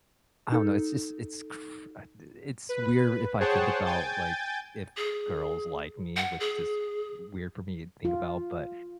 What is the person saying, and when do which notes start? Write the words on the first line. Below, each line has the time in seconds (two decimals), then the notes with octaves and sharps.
I don't know, it's just it's cr I d it's weird if I think about, like, if girls like me, which is weird for me to think about, but
0.52 D#4 A4
2.69 B4
3.40 G#4 C5 C#5 F#5 G5 A5
3.85 G5 G#5 G6 A6
4.97 G#4
6.16 F#5
6.40 G#4
8.05 F4